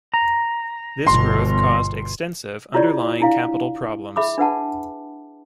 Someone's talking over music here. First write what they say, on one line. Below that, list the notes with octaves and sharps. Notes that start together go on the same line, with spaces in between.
This growth caused extensive underlying capital problems.
A#5
G1 B2 C6
E4 F4 G4 C#5 D5
D4 E4 F5
G#4 E5 B5 D6
D4 B4 F#5 A5